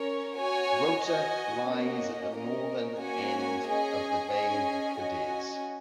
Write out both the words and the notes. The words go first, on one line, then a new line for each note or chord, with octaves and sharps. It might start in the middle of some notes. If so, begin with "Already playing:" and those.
Rota lies at the northern end of the bay Cádiz.
Already playing: C#4 A#4 C#5
F#4 C#5 G#5
F#4 D#5 G#5
A#3 C#4 F#4 D#5
C#4 A#4 D#5
A#3 C#4 F#4 C#5 G#5
C#4 G#4 D#5 G#5
C#4 G#4 D#5 G#5
C#4 F#4 D#5 G#5